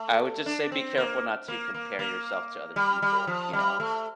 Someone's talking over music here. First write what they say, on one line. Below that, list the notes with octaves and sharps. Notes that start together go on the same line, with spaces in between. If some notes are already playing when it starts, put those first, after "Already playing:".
I would just say be careful not to compare yourself to other people, you know?
Already playing: A3
D4
C4
A#3
A#3
A#3
A#3
G3
G3
F3
G3
A3